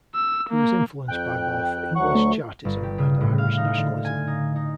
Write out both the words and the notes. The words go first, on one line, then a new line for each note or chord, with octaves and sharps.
He was influenced by both English Chartism and Irish nationalism.
E6
A#3
F2 G5 F#6
D2 F#3 F#5 C#6
A3
G1
G4
C#3
A2
F5
D#4
D3
G#5
D#4
D#4